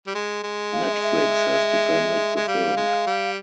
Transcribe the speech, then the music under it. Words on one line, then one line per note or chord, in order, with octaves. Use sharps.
Netflix has defended the film.
G3
G#3
G#3
F5
E5
D#5
E5
G#3
G3 F5
G#3
G3